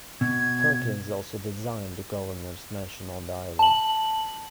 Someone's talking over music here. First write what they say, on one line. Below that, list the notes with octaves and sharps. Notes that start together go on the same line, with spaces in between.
Perkins also designed the Governors Mansion on the island.
B2 G#6
A5 F#7